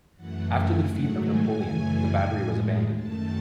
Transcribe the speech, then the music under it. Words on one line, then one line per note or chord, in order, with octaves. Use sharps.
After the defeat of Napoleon the battery was abandoned.
F#2 E3 A3 F#5
G#5
G#2 D#3 F#3 A3 F#5
G#5
F#2 C#3 E3 A3
A2 G#3
F#2 D#3 A3 A5